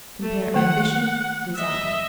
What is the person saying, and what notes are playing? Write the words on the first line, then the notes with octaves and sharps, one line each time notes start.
Compare AMBITION; DESIGN.
A3
D#3 A3 F#5
D#5 E5